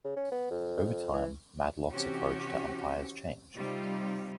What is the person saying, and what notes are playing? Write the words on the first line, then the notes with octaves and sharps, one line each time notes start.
Over time, Madlock's approach to umpires changed.
C#3
C#4
B3
F2
E3
C3 E3 C4 C#4 F#4 G4
C3 G3 D#4 F4